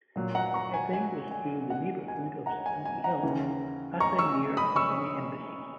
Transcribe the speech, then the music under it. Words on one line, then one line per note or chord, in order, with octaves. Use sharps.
It then goes through the neighbourhood of Sandy Hill, passing near many embassies.
A#2 F#3
F#5 A#5
A#5 C#6
G#5
G#5
G#5
F#5
G#5
F#5 A#5
G#5
G#5
F#5 A#5
D#2 C#3 E3
A#5 C#6
C#6 E6
B5 D#6
C#6 E6